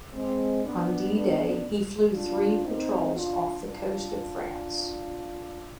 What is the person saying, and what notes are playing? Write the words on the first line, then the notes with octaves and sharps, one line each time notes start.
On D-Day he flew three patrols off the coast of France.
G#3 C4
B3 D4
B3 D4
D4 F4
C4 D#4
D4 F4
D4 F4